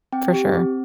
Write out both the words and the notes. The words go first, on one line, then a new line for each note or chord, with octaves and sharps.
for sure.
C4 G5
G4
C4